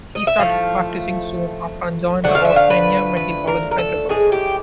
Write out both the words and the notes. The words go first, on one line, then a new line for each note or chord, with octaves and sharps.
He started practising soon after and joined the "Osmania Medical College," Hyderabad.
D#5
E5
A2 F3 A3 F5
D3 F3 A3 F#5
F5
E5
F5
B4
B4
A#4
A#4
A4
A2 E3 G#3 G#4
G4